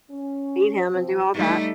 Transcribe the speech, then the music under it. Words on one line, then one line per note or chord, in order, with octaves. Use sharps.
feed him and do all that,
C#4
C3 F3 C4
G3 A3 D#4